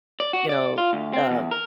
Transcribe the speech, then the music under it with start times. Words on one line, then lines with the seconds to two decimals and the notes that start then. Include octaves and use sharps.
you know, um,
0.20 D5
0.33 F#4
0.49 D5
0.78 F4
0.93 D2
1.13 C4
1.31 E2
1.51 A#4